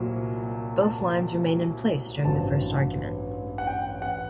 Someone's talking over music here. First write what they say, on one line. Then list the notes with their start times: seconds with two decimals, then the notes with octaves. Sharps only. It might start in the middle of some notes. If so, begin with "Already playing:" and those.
Both lines remain in place during the first argument.
Already playing: C2 A#2 F#3 C4
0.82 A5
2.25 A1 G2 F#3 C4 A5
3.58 F#5
3.67 G5
4.02 F#5